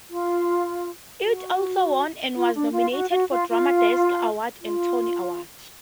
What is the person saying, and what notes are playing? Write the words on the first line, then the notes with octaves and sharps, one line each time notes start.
He also won and was nominated for Drama Desk Awards and Tony Awards.
F4
F#4
F4
D4
F4
F#4
F#4
F4
F4
F4